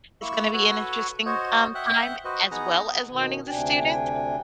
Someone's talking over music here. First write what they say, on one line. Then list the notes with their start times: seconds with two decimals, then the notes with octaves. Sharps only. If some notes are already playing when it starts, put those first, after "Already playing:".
It's gonna be an interesting, um, time as well as learning the student.
0.22 A#3 E4 C#6 E6
0.53 F#4 A4 B4 C#5
1.26 F#4 C5 C#5 D#5
1.75 E5 F#5 G5 F#6
2.25 F#4 B4 C5 D#5
2.51 B3 D#4 G#4 F#5 A#5
3.10 B2 D#3
3.49 D2 C3 D4 G5 G#5